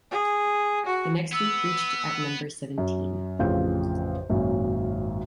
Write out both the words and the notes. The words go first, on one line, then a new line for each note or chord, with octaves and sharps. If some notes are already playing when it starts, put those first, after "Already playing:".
The next week reached at number seventeen.
G#4
F#4
B3 E6
F#2
A1 F2 C#3 F4 G6
G#1 F#2 A#2 F#3